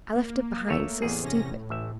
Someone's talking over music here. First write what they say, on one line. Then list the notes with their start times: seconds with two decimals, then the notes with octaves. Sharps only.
I left it behind; so stupid!'
0.16 A#3
0.68 A3 C#5 E5
1.02 A1 E2 G#4
1.23 C3 C#4 A#6
1.51 A2
1.70 A1 E5